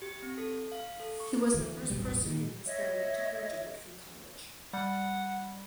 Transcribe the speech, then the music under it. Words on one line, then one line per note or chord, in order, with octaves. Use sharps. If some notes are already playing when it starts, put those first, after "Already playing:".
He was the first person in his family to graduate from college.
G4
C4
A4
F5
A4
C#6
D2 E3
E1 A1 B2 G3
A#2 D#3
C#5 D#5 E5
G3 F#5